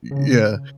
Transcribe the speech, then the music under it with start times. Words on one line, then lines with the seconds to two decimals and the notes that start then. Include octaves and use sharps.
y yeah.
0.11 C#3